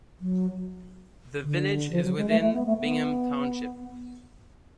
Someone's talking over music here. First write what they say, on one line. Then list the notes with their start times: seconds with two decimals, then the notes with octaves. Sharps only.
The village is within Bingham Township.
0.21 F#3
1.43 D3
1.91 F3
2.04 F#3
2.17 G#3
2.29 A3
2.41 A3
2.53 B3
2.66 A3
2.78 B3